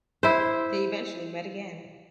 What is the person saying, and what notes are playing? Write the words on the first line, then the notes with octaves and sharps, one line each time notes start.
They eventually met again.
E4 C5